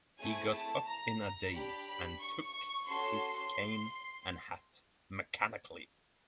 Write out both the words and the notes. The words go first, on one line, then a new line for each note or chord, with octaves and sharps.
He got up in a daze and took his cane and hat mechanically.
A3 C4 E4 G#4 G#5
A5
A#5
D4 G4 B5
B5
C#6
C#4 F#4 A4 C6